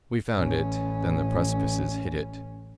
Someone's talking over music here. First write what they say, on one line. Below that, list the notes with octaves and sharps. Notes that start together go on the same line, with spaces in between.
We found it; then the precipices hid it.
A1 C#4